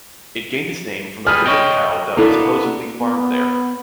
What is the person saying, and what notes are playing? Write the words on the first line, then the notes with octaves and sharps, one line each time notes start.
It gained its name from a breed of cow that was supposedly farmed there.
G3 G#4 B4 F6
C#5 D#5 G5
A#3 B3 D4 E4 A4
B3